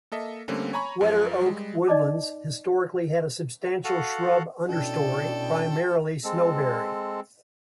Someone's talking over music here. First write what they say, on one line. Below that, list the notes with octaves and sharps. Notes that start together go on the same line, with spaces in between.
Wetter oak woodlands historically had a substantial shrub understory, primarily snowberry.
A#3 A4 D#5 E5
D3 G3 A3 A#3 C4 C#4
C#5 G#5 A#5 B5 C#6
F#2 F3 F4
G3 G#3
D#4 D5 D#5 A5 D6
F#4 A4 F5 F#5
B2 C#4 D4 E4 A4 D5 G5
G#3 C4 A4